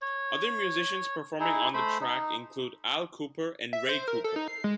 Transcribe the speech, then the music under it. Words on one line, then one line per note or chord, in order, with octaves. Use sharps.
Other musicians performing on the track include Al Kooper and Ray Cooper.
C#5
D#4 E4 G#4
A3 C5 B5
D#4
E5
C5
A#4
A4
D#4
C7
G#3